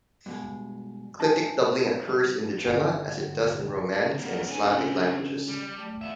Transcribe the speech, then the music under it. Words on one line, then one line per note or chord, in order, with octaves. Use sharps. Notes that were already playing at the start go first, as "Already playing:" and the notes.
Clitic doubling occurs in Degema, as it does in Romance and Slavic languages.
G2 B2 G#3
D4 D#5 G#5 A5
G3
G1 G5
A#3 C4 C#5 F#5
C4 D4 A4 B4 G#5
C#3
G3
A3 D5 G5
B3 E5 F5